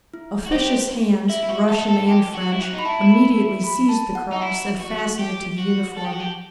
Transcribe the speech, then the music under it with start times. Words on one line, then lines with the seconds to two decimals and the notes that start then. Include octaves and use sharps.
Officious hands, Russian and French, immediately seized the cross and fastened it to the uniform.
0.14 E4
0.46 F#4
0.51 G4 C5
1.30 E4 E5
1.43 E4
1.49 F#4
1.69 A4
1.88 A4
2.08 G4
2.34 F#4
2.52 E4
2.60 F#4
2.73 D#4
2.79 B5
2.85 E4 A5
3.11 B5
3.64 B5
3.89 A5
4.15 F#5
4.32 D#4
4.41 E4
4.81 F#4
5.19 G4
5.58 F#4
5.97 A4
6.05 G4
6.12 F#4
6.20 G4